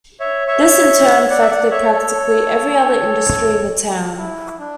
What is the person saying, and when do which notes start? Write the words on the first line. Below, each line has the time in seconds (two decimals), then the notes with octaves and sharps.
This in turn affected practically every other industry in the town.
0.20 C#5 E5
0.47 C#5 E5
1.30 D5 F#5
1.41 E5
1.50 D5 F#5
1.71 C#5 E5
1.92 A4 C#5
4.18 E4
4.59 D4